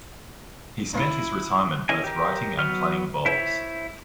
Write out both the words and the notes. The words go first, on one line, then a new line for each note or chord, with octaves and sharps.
He spent his retirement both writing and playing bowls.
E4
C#4 E4 D#5 G#5
G4 A#4
F#3 B3 F6
E4 C5 C#5 E5